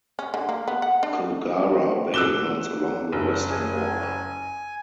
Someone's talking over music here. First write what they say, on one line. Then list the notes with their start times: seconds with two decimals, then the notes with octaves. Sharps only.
Kogarah Bay runs along the western border.
0.19 C#4
0.34 D3
0.49 A#3
0.68 B3
0.82 F#5
1.03 D4
2.14 D6 E6 F#6 E7 G7
3.13 F#1
3.50 G#4 G#5